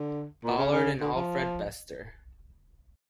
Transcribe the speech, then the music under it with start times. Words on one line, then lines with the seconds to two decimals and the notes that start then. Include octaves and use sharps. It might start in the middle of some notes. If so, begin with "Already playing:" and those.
Ballard and Alfred Bester.
Already playing: D3
0.44 A#2
0.57 C#3
0.72 C#3
1.01 D3
1.16 F3